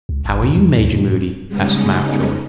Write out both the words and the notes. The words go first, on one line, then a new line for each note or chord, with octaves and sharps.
"How are you, Major Moody?" asked Mountjoy.
C#2
G#1
E2
E2
D2
B2
G#2
C#3 G3 G#3 B3 C#4 D#4